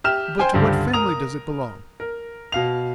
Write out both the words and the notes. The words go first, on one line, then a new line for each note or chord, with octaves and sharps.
"But to what family does it belong?"
G4 E5 F6 E7
C5 G5 G#5
C#2 G2 D3 G3
A#4 A#5 D#6 F7
A#4
B2 F5 F7